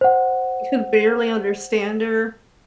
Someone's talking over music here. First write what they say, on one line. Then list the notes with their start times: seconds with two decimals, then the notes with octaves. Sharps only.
you could barely understand her,
0.01 C5 F#5